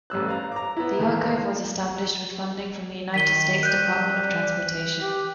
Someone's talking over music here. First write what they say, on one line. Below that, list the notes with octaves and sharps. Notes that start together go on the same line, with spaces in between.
The archive was established with funding from the United States Department of Transportation.
A1 G3 E6 F#6
F5 A#5
A#5 D6
B3 E4
A2 D#3 E3 G#3
D#3 B6 D#7 G7
G3 F#6 G6 D#7
G4